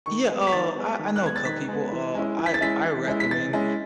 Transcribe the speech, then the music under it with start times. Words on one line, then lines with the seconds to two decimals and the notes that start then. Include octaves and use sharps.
Yeah, uh, I I know a couple people. Uh, I I recommend
0.06 D#3 C#6
0.30 G#3 B3
0.47 B6
0.52 D#3 A6
0.76 G#3 B3
0.99 D#3
1.16 F#6
1.22 G#3 B3 G#6
1.36 A6
1.45 D#3 B6
1.68 G#3 B3
1.92 E3
2.15 G#3 C#4 E4
2.38 E3
2.46 B6
2.54 A6
2.61 G#3 C#4 E4 B6
2.85 E3
3.07 G#3 C#4 E4
3.20 B6
3.30 E3 A6
3.53 G#3 C#4 E4